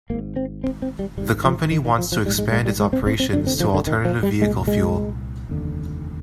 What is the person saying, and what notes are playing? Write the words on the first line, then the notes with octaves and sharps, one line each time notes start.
The company wants to expand its operations to alternative vehicle fuel.
G#1 G#2 A#3
C4
C4
C4
G3
G#1 G#2 G3
F3
D#3
D#3
F3
F3
A#1 G#2 G3
G#3
G#3
G3
G#3
C4
C4
C4
F1 F2 D3 D4
C4
F3
D3
D#3
F3
G3
C2 A#2 G#3
G#3
F1 D#2 D3